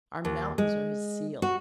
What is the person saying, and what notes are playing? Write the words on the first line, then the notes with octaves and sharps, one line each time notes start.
Our mountains are his seal.
D#2
G#3
F#4